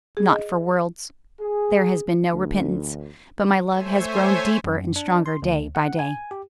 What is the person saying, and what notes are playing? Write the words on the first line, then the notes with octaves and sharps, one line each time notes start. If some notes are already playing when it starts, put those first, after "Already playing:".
"Not for worlds: there has been no repentance, but my love has grown deeper and stronger day by day."
G#4
D#5
G#4
D2
A3 C5 C#5 E5 G#5
F#2
D4
C6
D2
F#5
G#5
G4